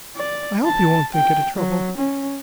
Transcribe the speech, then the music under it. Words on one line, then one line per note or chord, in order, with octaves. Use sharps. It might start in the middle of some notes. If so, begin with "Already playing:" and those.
I hope you won't think it a trouble?
D5
A5
G5
F#3
C#4